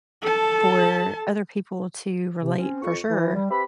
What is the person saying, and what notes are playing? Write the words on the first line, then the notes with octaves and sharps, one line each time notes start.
For other people to relate, for sure,
A4 A5
C3
C4 C#4
F2 C#6
E3
G3
C4 G4 B4 E5 B5